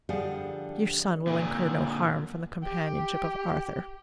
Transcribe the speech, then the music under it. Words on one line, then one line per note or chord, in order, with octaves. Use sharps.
"Your son will incur no harm from the companionship of Arthur."
D3 F3 G3 G#4 F5 F#5
A#2 D3
G4